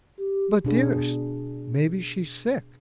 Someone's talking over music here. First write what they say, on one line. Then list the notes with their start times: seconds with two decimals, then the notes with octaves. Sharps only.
"But, dearest, maybe she's sick."
0.18 G4
0.65 B2 D4 G#4